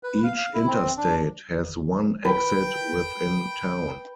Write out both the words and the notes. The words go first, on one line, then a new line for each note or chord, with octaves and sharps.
Each interstate has one exit within town.
B4
F5
F5
E4
C4
D4
B4 G5